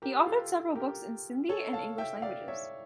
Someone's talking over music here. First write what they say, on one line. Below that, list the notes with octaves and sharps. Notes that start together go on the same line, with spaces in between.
He authored several books in Sindhi and English languages.
G4 A#4
F4 A4
G4 A#4
A4 C#5
F5 A5
E5 G5
D5 F5
C#5 E5